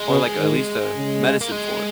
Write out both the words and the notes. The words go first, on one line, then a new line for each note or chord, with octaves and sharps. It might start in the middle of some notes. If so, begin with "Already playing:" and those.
Or, like, at least a medicine for it.
Already playing: G#3
C#3
D#3
C#3
A#3
G#3